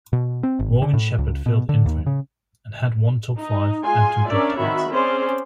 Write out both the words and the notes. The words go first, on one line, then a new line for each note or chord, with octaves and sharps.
Morgan Shepherd filled in for him, and had one top-five and two top-tens.
B2
C4
G#1
D3
A2
C#2
B2
D3
D#2
C#3
D#4
G#3 F4 G#5 C6
C#4 D4 A#4 C#5 D5 E5
D#3 C4 F#4 E5 B5
C4 C#4 G#4 C5 D5